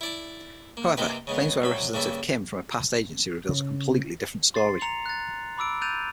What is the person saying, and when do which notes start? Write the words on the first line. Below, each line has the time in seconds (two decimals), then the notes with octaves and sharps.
However, claims by representative Kim from her past agency reveals a completely different story.
0.01 E4 D5 A5
0.77 A#3
0.97 C3 A#3 C4 D#4 G4 B4
1.27 C#3 G#3 B3
1.62 C2 F#3 B5
1.94 G2 C#3 A#3 A4 E5
3.49 C#3
4.54 C6 A6 C7
4.81 A#5 C#7 F7
5.06 F#6 A6
5.58 B5 D6 E6 D7
5.81 F#6 G6 A6 D#7 F7